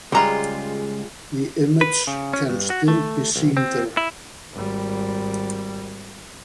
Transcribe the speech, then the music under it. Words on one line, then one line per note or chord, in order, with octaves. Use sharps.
The image can still be seen there.
C#2 G3 G#3 F4 A#5
B4
C#3
C#4
G2
F#4
A3
B1
C4
E4
G#1 G3